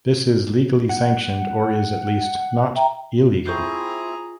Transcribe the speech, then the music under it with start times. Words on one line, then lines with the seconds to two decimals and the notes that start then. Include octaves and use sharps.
This is legally sanctioned or is, at least, not illegal.
0.89 F#5
2.75 E5 G5 A#5
3.46 C4 E4 F4 G#4 A#5 C#6 G6 C7